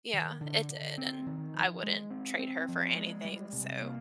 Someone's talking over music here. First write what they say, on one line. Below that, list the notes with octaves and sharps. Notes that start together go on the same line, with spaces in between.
Yeah, it did, and I wouldn't trade her for anything, so,
D#3
D3
D3
C4
D#3
F3
G#3
C4
C4
F3
G#3
G3
C3
A#3